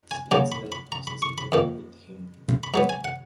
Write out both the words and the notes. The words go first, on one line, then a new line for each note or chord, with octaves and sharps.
Snakes were associated with him.
G#5
D#2 C#3 F#3 A#3 D#4 A#5
B5
B5
A#5
B5
C#6
B5
F2 D#3 A#3
B5
G#2 F#3 B3 A#5
G#5
F#5